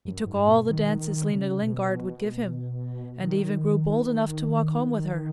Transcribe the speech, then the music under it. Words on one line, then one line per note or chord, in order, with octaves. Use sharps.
He took all the dances Lena Lingard would give him, and even grew bold enough to walk home with her.
F#2
G#2
B2
D#3
D#3
C#3
B2
D#3